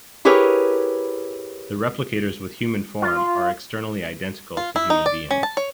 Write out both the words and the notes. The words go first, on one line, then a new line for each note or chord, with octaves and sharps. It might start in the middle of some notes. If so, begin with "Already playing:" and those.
The replicators with human form are externally identical to human beings.
E4 G4 G#4 A#4 B4 C#5
F4
F4
E4
D#4
D5
C#4
A5
C#5